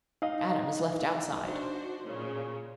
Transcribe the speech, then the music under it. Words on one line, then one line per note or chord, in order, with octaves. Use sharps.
Adam is left outside.
D#4 D#5 F5
D4 F#4 C5
A#2 C#3